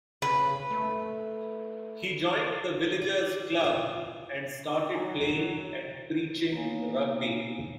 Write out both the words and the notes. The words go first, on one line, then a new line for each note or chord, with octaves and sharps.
He joined the Villagers club and started playing and preaching rugby.
C#3 B4
A3
D5
F4
F#3 D#4 G#5
A#3 B3 D#4 C#5 F5 G#5